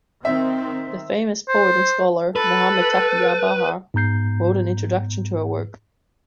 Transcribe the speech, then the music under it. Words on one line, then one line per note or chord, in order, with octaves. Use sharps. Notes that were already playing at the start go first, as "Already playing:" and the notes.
The famous poet and scholar Mohammad Taqi Bahar wrote an introduction to her work.
D#3 C4 E5
C5
A4 B4
G#2 B3 A#5 G6 C7